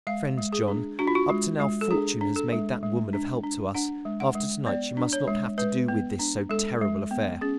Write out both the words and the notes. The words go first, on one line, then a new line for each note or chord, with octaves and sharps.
Friend John, up to now fortune has made that woman of help to us; after to-night she must not have to do with this so terrible affair.
G#3 F5
G#3
G#4
D4
D4 F#4
F4
F#4
G#3
G#3
A4
D4 G#4
D4
A4
G#3
G#3
D4
D4
D4 F#5
G#3
F#5
G#3
B3 D5
D4
C#5
G#3
G#3 B4
B3
D4
G#3 A4
G#3
B3
C#4 G#4